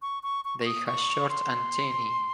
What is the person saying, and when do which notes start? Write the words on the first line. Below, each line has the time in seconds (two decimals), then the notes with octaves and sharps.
They has short antennae.
0.02 C#6
0.23 C#6
0.45 C#6
0.59 C#6
0.65 D#6
0.87 C#6
1.29 C6